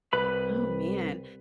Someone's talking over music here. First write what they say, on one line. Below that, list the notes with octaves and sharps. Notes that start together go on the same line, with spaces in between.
Oh, man.
C2 B4 B5